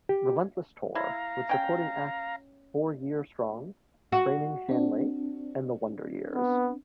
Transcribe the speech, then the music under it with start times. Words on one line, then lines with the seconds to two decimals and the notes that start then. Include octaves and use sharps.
Relentless Tour, with supporting acts Four Year Strong, Framing Hanley, and The Wonder Years.
0.09 G4
0.95 E4 F5 A#5
1.49 C#4 G5
4.12 F#4
4.69 C4 D4
6.35 B3